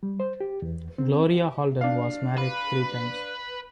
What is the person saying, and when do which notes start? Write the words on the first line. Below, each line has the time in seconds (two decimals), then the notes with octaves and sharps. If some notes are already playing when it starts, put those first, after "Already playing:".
Gloria Holden was married three times.
0.03 G3
0.20 C5
0.41 G4
0.62 E2
0.98 C4
1.81 D4 F5
2.38 B4